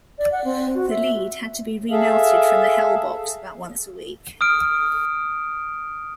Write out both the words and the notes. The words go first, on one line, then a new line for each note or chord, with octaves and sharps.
The lead had to be remelted from the "Hell box" about once a week.
D5
F#5
C4
F#4
E5
G#4 A4 E5 F5
D#6 F6 D7